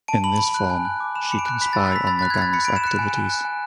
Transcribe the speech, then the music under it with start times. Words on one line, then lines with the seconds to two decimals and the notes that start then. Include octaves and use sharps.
In this form, she can spy on the Gang's activities.
0.08 A5 D7
0.24 B5 F#7
0.39 B5
0.54 F#6
0.70 G#5
0.85 F#6
1.00 D6
1.15 B5 E7
1.31 B5 C#7
1.39 D7
1.46 F#6
1.61 B5 B6
1.73 E6 A6
1.87 A6
1.92 B5 B6
2.07 B5 A6
2.19 F#6 A6
2.30 G#6
2.38 B5 A6
2.53 B5 C#7
2.65 B5 D7
2.76 E7
2.84 F#6 C#7
2.99 G#5
3.14 G#5
3.30 F#6
3.45 G#5